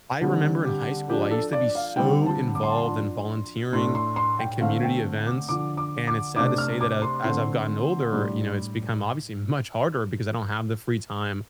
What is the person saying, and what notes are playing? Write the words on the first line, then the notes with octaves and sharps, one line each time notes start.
I remember in high school, I used to be so involved in volunteering and community events, and it's sad to say that, a as I've gotten older, you know, it's become obviously much harder because I don't have the free time
D3 G3 C4 G4
G4
F3 D4 G4
A4
D5
F5
D3 G3 C4 G5
A5
D6
C6
A5
C6
F3 D4
A2 A3 D4 C6
C6
C6
G5
D3 A3 C4 F5
G5
D6
D3 F3 D4 D6
D6
D6
C3 A3 D4 D6
F6
D6
C6
D3 A3 C4 C6
A2 G3 D4